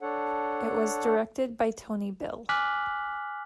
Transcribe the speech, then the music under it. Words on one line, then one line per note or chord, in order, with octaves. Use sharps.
It was directed by Tony Bill.
D4 A4 C#5 F#5
G#5 D6 F6 F#6 B6 F#7